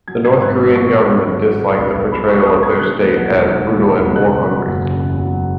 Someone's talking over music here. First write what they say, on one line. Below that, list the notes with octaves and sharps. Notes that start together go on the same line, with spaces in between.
The North Korean government disliked the portrayal of their state as brutal and war-hungry.
F#3 G#6
G#2 G#6
G#1 F#6
G#1 E6
F#3 C#6
G#2
G#1
G#1
F#3
B2
B1
B1
F#3 B5
B2 C#6
B1 D#6
B1 G#6
D#3 F#6
D#2
F#3
E1
D#3
D#2
F#3
E1
C#3 F#6
E2
F#3
F#1
C#3
E2
F#3